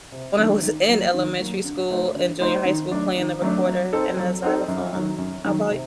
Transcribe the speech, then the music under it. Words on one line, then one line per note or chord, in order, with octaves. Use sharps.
when I was in elementary school and junior high school playing the recorder and the xylophone. How about
C3
D#3 F#3 A3 D4
D#3
F#3 A#3 F#4
D#3
F#3 A#3 F#4
D3
A3 D#4 F#4 C5
D3
A3 D#4 F#4 C5
D#3
F#3 A3 D4
D#3
F#3 A3 D4
F#3
C4 D#4 A4
F#3
C4 D#4 A4
F#2
D#3 F#3
F#2
D#3 F#3
C3